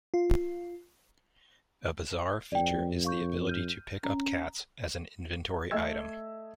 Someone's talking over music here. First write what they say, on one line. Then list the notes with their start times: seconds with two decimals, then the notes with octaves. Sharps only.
A bizarre feature is the ability to pick up cats as an inventory item.
0.14 F4
2.52 F2 D5 G5
3.05 F5 C#6 G6
3.47 F6 G6 D#7
4.04 C#4 A#5
5.71 A3 D#5 E5 E6 G#6